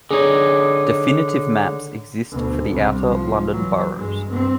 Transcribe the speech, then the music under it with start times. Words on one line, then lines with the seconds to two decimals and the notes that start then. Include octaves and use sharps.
Definitive maps exists for the Outer London boroughs.
0.11 D3 D#4 G#4 C#5
2.31 D2 B2
2.71 C2 G3
3.08 F3
3.48 E3 F#3
3.94 G2 G#3
4.25 G2 C4